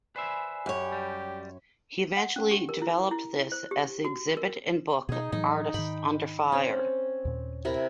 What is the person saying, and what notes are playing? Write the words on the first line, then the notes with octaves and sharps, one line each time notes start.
He eventually developed this as the exhibit and book "Artists Under Fire".
B4 C5 D5 E5 G#5 B5
F#2 G4 C#5
G3
F#5
C#4
G4
A#4
E4
E4
C5
G4
F#4
A#4
B2 D#4 G#4
A2 E3 F#3 D#4
G#2 D#3 G5 B5
C4 C#4
D#2 A#2
C3 E4 A#4